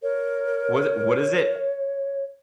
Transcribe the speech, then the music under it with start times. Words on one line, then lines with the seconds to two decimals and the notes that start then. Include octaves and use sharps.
Was it what is it?
0.03 A#4 C#5